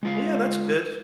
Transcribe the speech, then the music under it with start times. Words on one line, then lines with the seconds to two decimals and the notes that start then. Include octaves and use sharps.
Yeah, that's good.
0.03 G#3 F4 F5